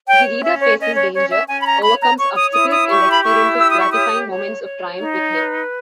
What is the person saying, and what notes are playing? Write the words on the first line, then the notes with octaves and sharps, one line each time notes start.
The reader faces danger, overcomes obstacles, and experiences gratifying moments of triumph with him.
C#5 G5
C#4 E5
C#5
C#4 D#5
C#5
C#4 C#5
E5
C#4 G#5
B5
A#5
C#5 B5
A#5
C#5 C#6
D#6
E4 D#6
D#6
G4 C#6
B5
E4 C#6
G4 E6
D#6
C#6
C#5 D#6
C#5
C#5
D#4
B4